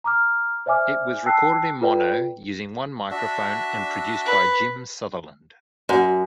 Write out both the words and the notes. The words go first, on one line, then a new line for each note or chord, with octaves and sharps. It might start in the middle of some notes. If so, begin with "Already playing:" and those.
It was recorded in mono using one microphone and produced by Jim Sutherland.
A#5 D6 F6
C5 D5 E5 G#5 D6 F6
G5 A5 E6 F#6 C7
F4 A4 B4 D5 G5
D4 F#4 E5
B4
F#2